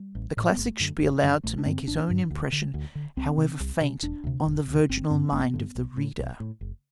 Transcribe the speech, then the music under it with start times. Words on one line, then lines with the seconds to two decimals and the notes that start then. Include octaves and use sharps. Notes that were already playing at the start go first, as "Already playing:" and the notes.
The classic should be allowed to make his own impression, however faint, on the virginal mind of the reader.
Already playing: G3
0.15 A1
0.37 A2
0.51 B3
0.57 G1 A3
0.80 F#2 D3
1.01 G1
1.23 F#2 D3
1.44 A1 A3
1.58 D4
1.66 G2 D3 C4
1.88 A1 D4
2.08 G2 D3
2.30 D2
2.52 D3
2.74 D2
2.95 D3
3.17 C2 C4
3.38 C3
3.60 C2
3.81 C3
4.02 E1 D4
4.24 D2 C3
4.46 E1
4.68 D2 C3
4.89 G1 C4
5.10 G2 D3 C4
5.32 G1 B3
5.54 G2 D3
5.75 B1
5.97 A2
6.18 B1
6.40 A2
6.61 F#1